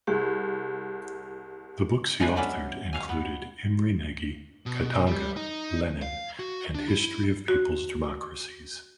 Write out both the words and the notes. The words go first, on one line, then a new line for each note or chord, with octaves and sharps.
The books he authored included "Imre Nagy", "Katanga", "Lenin" and "History of People's Democracies".
C2 G#4
F3 G#3 A3 D4 B4 G#5
F#3 G#3 B3 C#4 D5 E5
B2 F5 G#5
B3
B2
G3
D#4
F5
F#4
D4
E4
F#4